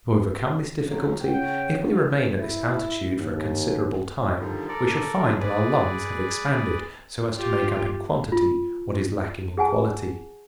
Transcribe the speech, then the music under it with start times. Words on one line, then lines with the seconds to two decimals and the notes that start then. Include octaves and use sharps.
To overcome this difficulty, if we remain at this altitude for a considerable time, we shall find that our lungs have expanded, so as to make up in quantity what is lacking in quality.
0.87 F2 D#3 F3 F#3
1.22 C#3 C#4 C#5 F#5 G5
1.79 D#3 F#3 B3 D4 E4 F4
2.40 E4
3.18 D#2
4.39 D3 D#3 F3 G3
4.69 A4 A#4 D5
5.22 F#3 B3 D4 F4 G#4
5.40 G#4 B4 D5
7.35 F4 G4
8.32 F4
9.57 G#4 F#5 G#5 A5